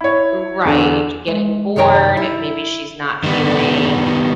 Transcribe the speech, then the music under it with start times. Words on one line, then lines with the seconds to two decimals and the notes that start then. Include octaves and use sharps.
Right. Getting bored, maybe she's not feeling
0.01 E4 C#5
0.65 E2 D3
1.28 G#3
1.76 C2 F#2 D#3 C#5 G5 A#5
2.17 E4
3.24 D#3 G3 B3